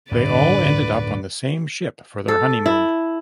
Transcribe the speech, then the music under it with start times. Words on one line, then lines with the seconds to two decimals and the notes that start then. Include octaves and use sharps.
They all end up on the same ship for their honeymoon.
0.11 D1 G2 D3 B4 D5
2.28 A4
2.66 E4